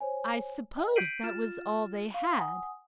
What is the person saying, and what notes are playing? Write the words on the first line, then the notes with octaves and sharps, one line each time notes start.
"I suppose that was all they had."
C5 C#5 G#5
D#5 G5
G6 B6 C7 D7 D#7 F#7
F4 F6 A6 E7
F5
F#5 G#5 D#6